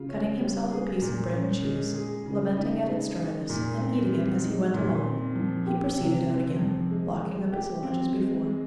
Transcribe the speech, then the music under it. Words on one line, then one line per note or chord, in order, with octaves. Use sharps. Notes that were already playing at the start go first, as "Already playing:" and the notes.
Cutting himself a piece of bread and cheese, lamenting at its dryness, and eating it as he went along, he proceeded out again, locking up his lodge as before.
Already playing: C#3 F4
C#4
G3
G#4
A#2
C#4
G#3
G#4
C#3
D#4
G#3
D#4
A#2
C4
G3
D#4
A#2
C4
F3
G4
C3
C4
F3
G#3
G#3
G4
C4
G#3
G#3